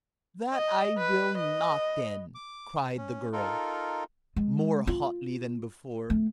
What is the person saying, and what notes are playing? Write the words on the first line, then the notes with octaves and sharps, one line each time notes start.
"That I will not then," cried the girl, more hotly than before.
D#5
B4
D#5
D6
C#4
D#4 F4 A4 A#4
G#3
F4
A3